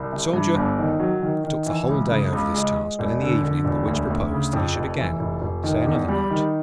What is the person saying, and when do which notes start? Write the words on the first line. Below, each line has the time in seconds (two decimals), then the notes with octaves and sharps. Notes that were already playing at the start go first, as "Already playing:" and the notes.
The Soldier took the whole day over this task, and in the evening the Witch proposed that he should again stay another night.
Already playing: C2
0.12 C3
0.33 G2
0.55 G1
0.78 D#3
0.99 F#3
1.22 D#3
1.44 D#3
1.66 E3
1.89 C#2
2.11 C#3
2.33 C#2
2.54 G#3
2.76 G#3
2.99 E1
3.21 D3
3.43 D3
3.65 E1
3.87 D2
4.10 D2
4.31 C#3
4.53 F2
4.76 F1
4.98 E3
5.20 F1
5.42 F1
5.64 D#3
5.86 E2
6.08 G3
6.30 D#3